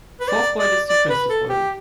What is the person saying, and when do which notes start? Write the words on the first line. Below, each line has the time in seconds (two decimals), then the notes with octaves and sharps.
Vorfreude ist die schönste Freude.
0.20 B4
0.29 D5
0.59 D5
0.90 D5
1.10 B4
1.30 A4
1.49 G4